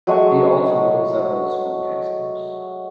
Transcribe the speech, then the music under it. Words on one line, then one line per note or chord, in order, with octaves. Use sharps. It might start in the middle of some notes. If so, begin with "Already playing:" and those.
He also wrote several school textbooks.
F#3 G#3 A3 C#6